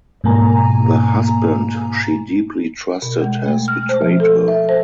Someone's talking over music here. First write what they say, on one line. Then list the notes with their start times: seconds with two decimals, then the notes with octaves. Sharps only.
The husband she deeply trusted has betrayed her.
0.24 G#2 B2 A#3 G#5 A#5
3.02 B2
3.22 G#3
3.46 A3
3.68 F6
3.89 C5
4.02 F3
4.20 A4
4.48 E5
4.69 C5